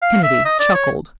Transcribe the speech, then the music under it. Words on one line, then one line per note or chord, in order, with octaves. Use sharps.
Kennedy chuckled.
F5
E5
D#5
D5
C#5